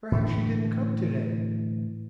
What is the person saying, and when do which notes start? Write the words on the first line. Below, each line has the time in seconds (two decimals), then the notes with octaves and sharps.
"Perhaps she didn't come today."
0.12 A2 D3 E3